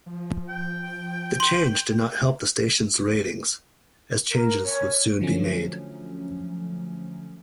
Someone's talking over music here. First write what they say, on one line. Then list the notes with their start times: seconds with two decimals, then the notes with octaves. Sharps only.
The change did not help the station's ratings, as changes would soon be made.
0.06 F3
0.49 G5
1.40 C6 F#7
4.31 A#4
4.65 C#5
5.21 D3 F3 F#3 A3 C#4